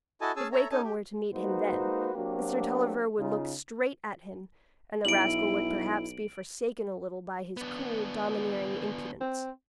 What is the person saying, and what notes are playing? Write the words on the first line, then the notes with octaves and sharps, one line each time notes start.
If Wakem were to meet him then, Mr. Tulliver would look straight at him, and the rascal would perhaps be forsaken a little by his cool, domineering impudence.
E4 F#4 A4 D#5 G#5 A5
C#4 G#4 G#5 A5 E6
A4 C#5 E5 A#5
C#4 D#4 A4 G#5 A5
G4
G#3 A#3 D#4 F#4 B4 C5
F#3 A#3 C4 D4 F#4 G4
C#3 D#4 F4
B1 E4 D7 F#7
B3 D4
C4